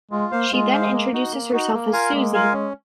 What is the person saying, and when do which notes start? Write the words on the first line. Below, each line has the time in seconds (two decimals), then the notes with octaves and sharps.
She then introduces herself as Suzee.
0.11 G#3 F4
0.32 A#3 C5 F5
0.52 G#3 F4
0.72 C5 F5
0.92 A#3
1.13 D#4 F#4
1.32 A#3
1.53 D#4 F#4
1.73 A#3
1.93 F4 A#4 F5 G#5
2.12 G#3 A#3
2.33 F4 A#4 F5 G#5
2.53 C#4